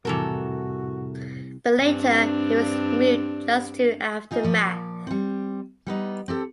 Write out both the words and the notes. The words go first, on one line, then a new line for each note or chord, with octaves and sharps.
But later he was moved just to Aftermath.
C2 F2 A2 C3 E3 F#4 A4 A#4
G2 C4 D4
D#4 F4 G#4
A#2 F3 D5
G3 C4
G3 B3 D#4
C4 G4 A4